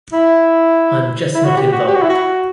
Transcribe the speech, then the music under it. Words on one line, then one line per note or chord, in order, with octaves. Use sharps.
I'm just not involved.
E4
E4
F#4
G4
F#4
G4
F#4
E4
F#4